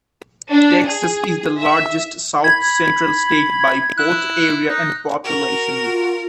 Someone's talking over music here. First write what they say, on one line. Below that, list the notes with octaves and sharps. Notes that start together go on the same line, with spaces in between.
Texas is the largest South Central state by both area and population.
D4
G#4
E5
B5 G#6
E4 F#6
D#4
F#4 A#4
F4